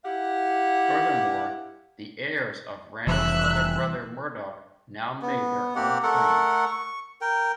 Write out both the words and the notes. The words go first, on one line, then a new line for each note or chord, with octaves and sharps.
Furthermore, the heirs of Ranald's other brother Murdoch now made their own claim.
E4 G4 F5 F#5
F1 E3 G3 B3 E5 E6 F#6
B3
A#3 C4 G4 F#5
A3 A4 A#4 F#5
C#6
A#4 G5